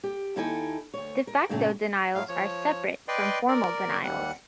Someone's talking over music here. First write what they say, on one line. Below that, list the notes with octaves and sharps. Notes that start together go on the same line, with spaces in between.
De facto denials are separate from formal denials.
G4
D#2 D#4 E4 A4 G5 G#5
D2 C#5
A#4
G2 A#2 C#3 A3 C4 C#4
A2 F#3 F5
F3 C#5
B4 D5 D#5 G5 C6
A#4 D5
D#2 G3 F#5